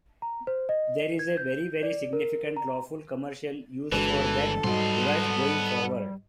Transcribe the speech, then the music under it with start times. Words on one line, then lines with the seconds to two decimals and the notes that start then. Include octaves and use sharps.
There is a very, very significant lawful commercial use for that device, going forward.
0.22 A#5
0.47 C5
0.69 D#5
1.19 G#6
1.37 G6
1.83 D5
2.13 A#4
2.57 A#5
3.92 G1 E3 G#3 D4 F#4 A4 B4
4.64 G#2 F#3 G3 B3 D#5 C6